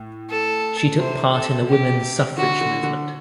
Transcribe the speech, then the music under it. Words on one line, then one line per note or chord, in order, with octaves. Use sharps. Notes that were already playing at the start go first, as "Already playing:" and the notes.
She took part in the Women's Suffrage movement.
Already playing: A2
A4
C3 C5
A4
G4
D3 F#4
D3
D3